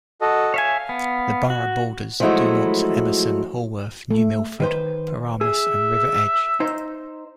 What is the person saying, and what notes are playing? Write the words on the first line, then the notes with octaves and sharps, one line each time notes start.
The borough borders Dumont, Emerson, Haworth, New Milford, Paramus and River Edge.
F#4 A4 D#5
C#5 E5 F5 G#5
B3
F#4
F3 F#3 G#3 A3 E4 F#4
A3
D#3 B4 C5
G#4 E5
D#4 C5